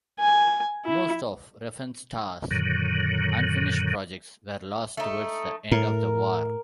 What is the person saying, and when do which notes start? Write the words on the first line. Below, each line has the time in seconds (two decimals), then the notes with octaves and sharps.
Most of Riefenstahl's unfinished projects were lost towards the end of the war.
0.20 G#5
0.86 E4
2.51 F#2 A#2 D3 D#3 F#3
4.97 A3 D#4
5.72 A2 A#4